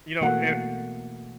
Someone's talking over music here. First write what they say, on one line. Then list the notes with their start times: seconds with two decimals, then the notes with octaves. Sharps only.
you know, and
0.21 B2 E3 A3 A#3 F#4 F#5